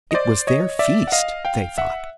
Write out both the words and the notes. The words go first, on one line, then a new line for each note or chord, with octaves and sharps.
It was their feast, they thought.
D#5
C5 D5
C#5 D#5
D5 E5
F#5
D#5 F5
F5 G5
E5 F#5